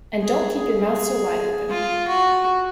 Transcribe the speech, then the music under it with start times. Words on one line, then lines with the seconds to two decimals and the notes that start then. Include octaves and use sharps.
And don’t keep your mouth so wide open!
0.22 G#4
0.59 G#4
1.70 F4
2.08 F#4